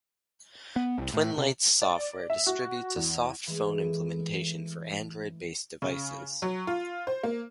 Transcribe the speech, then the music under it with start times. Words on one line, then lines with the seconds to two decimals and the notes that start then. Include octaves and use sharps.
Twinlights Software distributes a soft phone implementation for Android-based devices.
0.76 B3
0.98 C2
1.14 A2
1.37 C3
1.82 D5
2.30 E5
2.47 F#4
2.96 E2
3.47 E3 G#3 A3
5.82 C#3
6.42 F#3
6.67 F4
7.07 C5
7.23 A#3